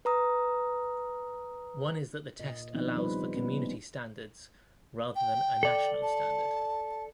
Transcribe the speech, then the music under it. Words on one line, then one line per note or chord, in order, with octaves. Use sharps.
One is that the test allows for community standards rather than a national standard.
B4 A#5 D#6
A#2 F4 A#4 D#5
D#3 F3 B3 C4 D4 D#4
F3 G3 B4 C5
A#3 B3 C#4 B4
G5
A4 D5
A5